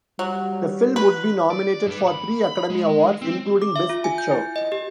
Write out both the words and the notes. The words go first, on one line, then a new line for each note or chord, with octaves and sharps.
The film would be nominated for three Academy Awards, including Best Picture.
F#3 G3
B4
D5
G2 B4
B5
G#3
C4
D6
E5
F4
G#5
G6
E4
D#5
G4